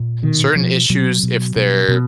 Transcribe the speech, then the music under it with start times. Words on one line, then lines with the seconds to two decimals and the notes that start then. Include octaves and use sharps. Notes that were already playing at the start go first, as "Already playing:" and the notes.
certain issues, if they're
Already playing: A#2
0.23 B2 D#3
0.56 B2 F3
0.90 B2 F#3
1.23 B2
1.56 B2
1.88 B2